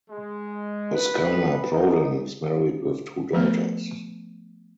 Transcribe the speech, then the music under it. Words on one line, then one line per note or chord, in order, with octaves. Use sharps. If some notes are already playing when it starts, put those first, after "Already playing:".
Oksana Prodan is married with two daughters.
G#3
B4
D#4
F3 A3 B3